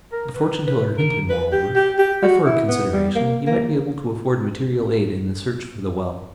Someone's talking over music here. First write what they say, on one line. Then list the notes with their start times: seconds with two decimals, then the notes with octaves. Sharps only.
The fortune-teller hinted, moreover, that for a consideration he might be able to afford material aid in the search for the well.
0.12 A#4
0.35 B4
0.67 B4
0.97 A#4
1.29 B4
1.52 G4
1.76 G4
1.99 G4
2.23 F#4
2.46 E4
2.68 B3
2.93 G3
3.15 A#3
3.47 A#3